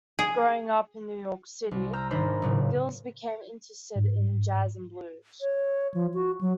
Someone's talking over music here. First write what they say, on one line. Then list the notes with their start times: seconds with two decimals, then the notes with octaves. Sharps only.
Growing up in New York City, Geils became interested in jazz and blues.
0.19 G#4
1.71 C2
1.93 A#5 E6 F6 G6
2.11 G#1 D#3 D4 C5 A#5 B5
2.42 F#1 A2 C#3 A#3
3.96 G#2
5.41 C#5
5.94 F3
6.14 F#4
6.41 F#3